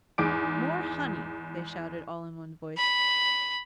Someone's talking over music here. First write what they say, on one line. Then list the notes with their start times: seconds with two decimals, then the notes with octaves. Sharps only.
"More honey!" they shouted, all in one voice.
0.18 E2 G#2 G#4 D6 D7
2.77 B5